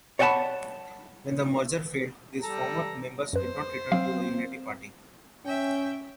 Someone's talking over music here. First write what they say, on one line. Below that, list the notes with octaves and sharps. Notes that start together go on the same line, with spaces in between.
When the merger failed, these former members did not return to the Unity party.
C#5 D5 F#5 G5 A5 B5
G3 A4 A#5
F#2 B4 C5
F#3 C4 F5
C#4 E5 G5